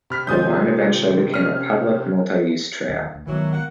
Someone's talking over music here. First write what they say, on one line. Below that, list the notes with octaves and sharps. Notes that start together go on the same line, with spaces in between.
The line eventually became a public multi-use trail.
C3 B5 F6 B6
G#1 F4 G#5 D#6 G6
C#4 F6 D#7
D#2 D3
D2
G#1 G#2 D#3 E3 F#3 B3
A#3 F#5